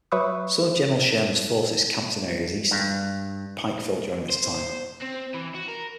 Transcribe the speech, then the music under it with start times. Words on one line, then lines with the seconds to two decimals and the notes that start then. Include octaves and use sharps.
Some of General Sherman's forces camped in areas east of Pikeville during this time.
0.12 F#3 B4 E5 B5 C#6 D#6
2.71 G2
4.30 C5
5.01 C4
5.34 E3
5.55 F#4
5.68 A#4